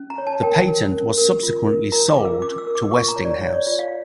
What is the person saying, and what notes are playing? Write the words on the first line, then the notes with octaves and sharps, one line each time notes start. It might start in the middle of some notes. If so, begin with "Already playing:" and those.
This patent was subsequently sold to Westinghouse.
Already playing: C#4
A#5
C#5
A5
A#4 G5
A#4
C#4
A#4
F4
A#4
A#4 A#5
D6
F4
E6
C#4 D6
E6
A#4
D6
F4 C#6
A#5
C#5
D5
C#5
D5
F4 D5
F5